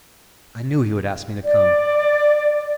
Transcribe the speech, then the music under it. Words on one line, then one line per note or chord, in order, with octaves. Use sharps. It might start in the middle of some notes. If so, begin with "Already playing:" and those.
I knew he would ask me to come.
D5